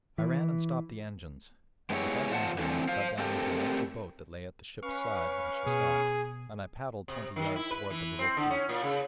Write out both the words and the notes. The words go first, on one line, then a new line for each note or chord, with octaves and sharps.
I ran and stopped the engines, and, without anchoring, got down into an empty boat that lay at the ship's side when she stopped; and I paddled twenty yards toward the little quay.
E3
G#3 B3 D4 E4 G4 C#5
E2 F4 C5 F#5 A5
D3 E3 A3 C4
C5 F5
A3 C4 G4 A4 A#4 G5
C#4 B4 F5 C#6
B2 G#4
C3
D#3
E4
B4
E3
C4
D3
C#4
A#2
C#3